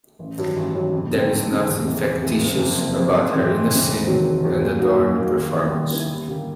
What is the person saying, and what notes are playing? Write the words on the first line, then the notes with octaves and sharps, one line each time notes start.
There is nothing factitious about her innocent, unadorned performance.
A1
G2 D#3 F#3
A1
G2 D#3 F#3
F2
D3 G3 C4 D#4
F2
D3 G3 C4 D#4
E2
C3 E3 G#3
E2
C3 E3 G#3
F#1
F2 C3
F#1
F2 C3
G#2
E3 G#3 C4
G#2
E3 G#3 C4
E1
E2 C3 D#3 F#3
E1
E2 C3 D#3 F#3
A#2
F#3 A#3 D#4 F#4
A#2
F#3 A#3 D#4 F#4
D#2
D#3 G3 B3 E4
D#2
D#3 G3 B3 E4
D#2
D3 G3 A#3